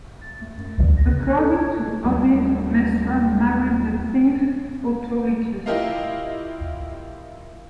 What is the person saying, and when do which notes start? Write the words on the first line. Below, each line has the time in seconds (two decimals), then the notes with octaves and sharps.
According to Ovid, Mestra married the thief Autolycus.
0.21 A6
0.41 A3
0.57 F#2
0.77 G3
0.97 A#6
1.11 C#3
1.23 F#6
1.38 A4
1.51 G#6
2.04 D#2 F#3 G3 A3
5.66 E4 F4 G4 A#4 D#5 F5